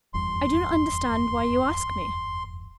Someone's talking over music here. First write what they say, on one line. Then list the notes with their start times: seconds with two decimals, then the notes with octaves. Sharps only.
"I do not understand why you ask me."
0.14 F1 E2 G2 C6